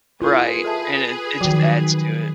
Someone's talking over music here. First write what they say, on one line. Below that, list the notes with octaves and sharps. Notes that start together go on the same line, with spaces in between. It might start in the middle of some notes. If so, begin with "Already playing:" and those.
Right, and it it just adds to it.
E4 F4 G#4 A#4 B4
A4 E5 A5
D#3 F3 F#3 F#4 G5